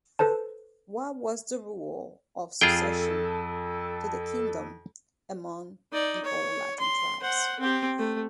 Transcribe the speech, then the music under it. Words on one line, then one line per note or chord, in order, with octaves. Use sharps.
What was the rule of succession to the kingdom among the old Latin tribes.
A4 B4 C5 A5
F2 F4 G#4 A4 G5
D#4 D5
C#5
C6
C5 F#5
C4 G4
A3